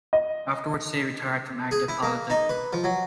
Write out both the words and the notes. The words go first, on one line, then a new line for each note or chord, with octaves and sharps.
Afterwards, he retired from active politics.
D#5
G#4
E4
A#3
D#4
B4
F3
F#3